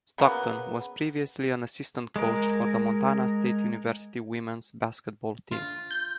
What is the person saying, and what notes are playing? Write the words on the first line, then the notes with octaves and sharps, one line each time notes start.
Stockton was previously an assistant coach for the Montana State University women's basketball team.
C#3 F#3 A#3 B3
G#3 A#4
F4
G6